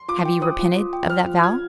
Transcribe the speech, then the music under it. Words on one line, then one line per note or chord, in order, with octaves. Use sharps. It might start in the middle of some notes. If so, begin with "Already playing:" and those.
Have you repented of that vow?
Already playing: C6
F4 D6
G5
C5 D#6
F4
F4
G5
C5 F6
F4
F4 G#6